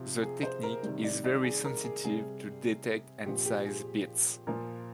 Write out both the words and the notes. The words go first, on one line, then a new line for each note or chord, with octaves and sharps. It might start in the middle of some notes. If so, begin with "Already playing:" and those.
The technique is very sensitive to detect and size pits.
Already playing: C3 F3 G4
G#4
C5
A#4
C3 D#3 G3
D5
D5
G#4
A#4
G#4
C3 G3 G#4
A#2 F3 G4
G4
G#4
A#2 F3 A#4